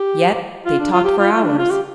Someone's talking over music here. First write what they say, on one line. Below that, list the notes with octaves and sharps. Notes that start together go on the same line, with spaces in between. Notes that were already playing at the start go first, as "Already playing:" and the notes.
Yet they talked for hours.
Already playing: G4
F4
D4
F4
G4
F4
F4
D4
F4
G4